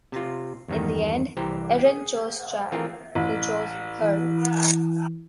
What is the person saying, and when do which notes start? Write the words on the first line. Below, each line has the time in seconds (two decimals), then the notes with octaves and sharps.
In the end, Erin chose Chad, who chose her.
0.12 C3 F4
0.68 E2 G2 D#3 D#4
1.37 C2 E3 G4 C5 A#5
1.85 G#4
2.72 E3 A3 C4 F4 G#4 A#4
3.15 A1
4.02 E3